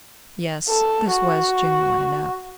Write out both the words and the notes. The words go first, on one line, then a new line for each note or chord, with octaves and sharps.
Yes; this was genuine enough.
A4
F#4